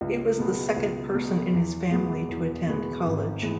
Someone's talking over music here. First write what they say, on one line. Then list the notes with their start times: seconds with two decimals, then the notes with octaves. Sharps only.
He was the second person in his family to attend college.
0.01 C#2
0.38 B2 G#3 B3
0.76 C#2
1.14 B2 G#3 B3
1.53 E2
1.90 B2 G#3 B3
2.29 E2
2.67 B2 G#3 B3
3.05 G#1
3.42 E3 G#3 B3